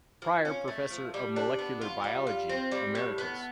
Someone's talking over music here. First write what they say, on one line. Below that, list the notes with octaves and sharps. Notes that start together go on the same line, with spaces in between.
Prior Professor of Molecular Biology, Emeritus.
F3
C#4
A3
F3
G3
D4
B3
F4
G3
F4
C4
G3
A2
B3